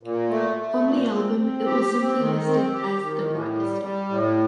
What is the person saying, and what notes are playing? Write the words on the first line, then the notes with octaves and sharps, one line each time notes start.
On the album, it was simply listed as The Right Stuff.
A#2
A3
A3
A#2
C4
C4
G4
C4
D#3
C4
G4
D#3
A2
G3
G3
A2